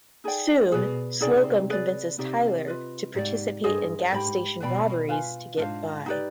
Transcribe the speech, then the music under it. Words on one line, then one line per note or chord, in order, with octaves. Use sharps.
Soon, Slocum convinces Tyler to participate in gas station robberies to get by.
D#4 G#4 D5 G5
B2 G#4 B4 D5
C3 D#4 G#4 D5 G5
G#4 B4 D5
C3 D#4 G4 D5
F4 B4 D#5
G#2 D#4 G4 D5
G2 G#4 C5 D#5
G#2 G4 C5 G5 B5
B2 B4 D5 G5 B5
F4 B4 F5 G#5
G#2 D4 F4 C5 F5
D#4 G4 B4 D5